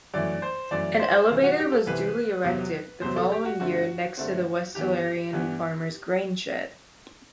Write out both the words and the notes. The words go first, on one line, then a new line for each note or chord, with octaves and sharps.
An elevator was duly erected the following year next to the Westralian Farmers grain-shed.
F#2 E3 A3 D5
C5
F#2 E3 A3 D5
C5
C2 C3 E3 G3 C4
F#4
G4
A4
C2 C3 E3 G3 C4 B4
E2 C3 F#3 C4
E2 C3 F#3 C4 C5
A4
G4
F#4
G2 D3 A3 C4 F#4
G2 D3 A3 C4
G2 E3 B3 G4
G2 E3 B3